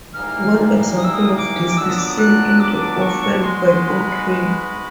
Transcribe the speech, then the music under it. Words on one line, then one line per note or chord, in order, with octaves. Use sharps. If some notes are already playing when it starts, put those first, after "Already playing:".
One example of this is seen in The Orphan by Otway.
G#2 E3 G3 A#3 F6
D#6
E6
D#6
D6
A#2 F#3 B3 D4 E6
D#6
D6
D#6
F#6
D6
C#6
G#3 B3 D#4 F#4 B4 C6
C6
B5
A#5
B5
B5